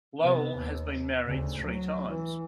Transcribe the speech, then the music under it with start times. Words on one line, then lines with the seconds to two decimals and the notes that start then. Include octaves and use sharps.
Lowell has been married three times.
0.21 C3 B3
0.57 D#2
1.26 D2 C#3
1.62 F#3
2.08 E3